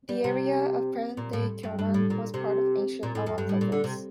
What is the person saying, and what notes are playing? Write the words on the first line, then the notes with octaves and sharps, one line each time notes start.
The area of present-day Kyonan was part of ancient Awa Province.
G3
C3
A#2
A2
G2
G2
A2
A#2
C3
A#2
A2
F2
G2
A2
A#2
D3
C3